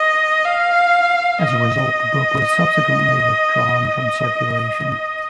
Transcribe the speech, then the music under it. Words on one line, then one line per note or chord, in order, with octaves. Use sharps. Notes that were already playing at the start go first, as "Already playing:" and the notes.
As a result, the book was subsequently withdrawn from circulation.
Already playing: D#5
F5
D#5